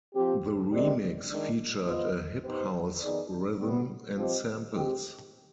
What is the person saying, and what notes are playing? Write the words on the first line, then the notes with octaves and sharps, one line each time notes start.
The remix featured a hip house rhythm and samples.
F3 C4 G4
D#3 G#3 C4 G4 D5
D#3 G#3 D4
B3 F4 C5 D#5
B3 D#4 G4 C5
D#3 B3 D#4 G#4 D5
C3 G3 B3
F3 C4 G4 C5 D#5
G#3 C4 G4